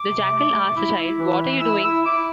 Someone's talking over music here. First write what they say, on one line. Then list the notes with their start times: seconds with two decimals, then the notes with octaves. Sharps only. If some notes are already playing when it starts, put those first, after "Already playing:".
The jackal asked the child: What are you doing?
Already playing: D6
0.09 C3
0.31 A3
0.53 A3
0.74 E4
0.96 E4
1.17 E3
1.39 E4
1.61 E4 E6
1.82 E4 E6
2.04 E4 D6